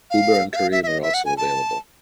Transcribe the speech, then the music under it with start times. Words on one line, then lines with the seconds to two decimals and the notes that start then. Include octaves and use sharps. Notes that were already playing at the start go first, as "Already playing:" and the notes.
Uber and Careem are also available.
0.10 F5
0.53 E5
0.56 F5
0.72 E5
0.83 E5
0.87 D#5
1.02 E5
1.14 F#5
1.26 G#5
1.37 A5